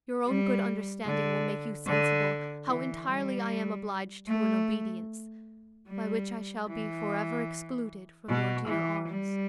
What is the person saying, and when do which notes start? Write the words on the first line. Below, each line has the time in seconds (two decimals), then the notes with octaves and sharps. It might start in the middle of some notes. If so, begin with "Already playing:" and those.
Your own good understanding will make you sensible, how entirely I am obliged to an obedience, by which I shall be for ever excluded from your dear arms.
0.27 G3
1.06 D3
1.87 D3
2.67 E3
3.07 G3
4.28 A3
5.88 G3
6.68 E3
8.28 B2
8.68 E3
9.08 G3